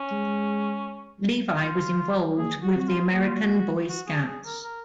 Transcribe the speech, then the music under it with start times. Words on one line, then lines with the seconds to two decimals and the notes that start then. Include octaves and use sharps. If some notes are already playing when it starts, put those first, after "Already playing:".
Levy was involved with the American Boy Scouts.
Already playing: C#4
0.11 G#3
1.55 D#4
1.63 F4
2.38 A#3 G#4
2.63 F#4
2.75 C4 F#4
2.88 F4
3.13 A#3 G#4
3.21 F#4
3.27 F4
3.35 F#4
3.89 F#4
4.07 G#4
4.27 G#4
4.46 A#4
4.64 A#4